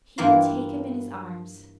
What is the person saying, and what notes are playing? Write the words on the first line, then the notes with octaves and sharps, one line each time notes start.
He would take him in his arms.
G2 E3 A#3 E4 F4 C6